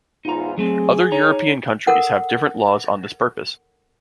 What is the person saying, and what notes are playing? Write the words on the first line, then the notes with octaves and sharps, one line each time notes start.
Other European countries have different laws on this purpose.
E2 G#2 D#4 F4 A#5
F#3 A3 C4 G#4
D#4 C#5 A#5
A4 A#4 F#5